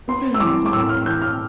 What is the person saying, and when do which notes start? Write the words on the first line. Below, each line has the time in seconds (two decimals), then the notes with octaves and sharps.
Susan was not there.
0.08 B3 C6
0.34 E6
0.40 E3 D6
0.66 D6
0.73 A2 E6
0.89 F6
1.05 E3 G6
1.22 F6